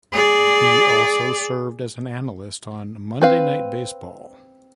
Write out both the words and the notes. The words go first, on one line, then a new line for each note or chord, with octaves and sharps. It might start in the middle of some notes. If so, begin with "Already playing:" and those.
He also served as an analyst on "Monday Night Baseball".
G#4 D5
C4 B4 F5